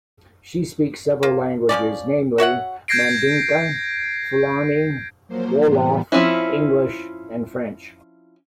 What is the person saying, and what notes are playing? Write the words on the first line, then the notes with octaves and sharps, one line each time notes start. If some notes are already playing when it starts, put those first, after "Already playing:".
She speaks several languages, namely: Mandinka, Fulani, Wolof, English and French.
A#3 F4
F3 G#3 C#4 D5
F#4 C#5 E5 F#5
G6 G#6 A#6 C7 D7
F3 F#3 A#3 C5
A2 E3 G3 B3
F3 C4 C#4 E4